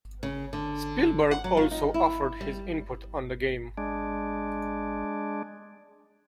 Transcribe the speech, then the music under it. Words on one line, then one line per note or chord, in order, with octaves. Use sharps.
Spielberg also offered his input on the game.
C#3
D3
F#5
F#3
F4
D#4
E4
G3
G#3 D4